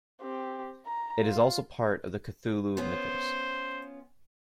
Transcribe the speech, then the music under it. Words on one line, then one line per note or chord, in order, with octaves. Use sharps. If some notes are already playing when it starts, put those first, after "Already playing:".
It is also part of the Cthulhu Mythos.
C4 G4
A#5
F4
B3 C#4 F4 C5